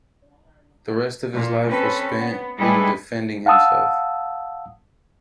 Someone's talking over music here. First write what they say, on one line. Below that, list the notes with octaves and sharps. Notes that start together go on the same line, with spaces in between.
The rest of his life was spent in defending himself.
A#2
C4 C#4 A4 B4
B3
G3 G#3 E4 G#4 A4 B4
F5 F#5 A5 D#6 E6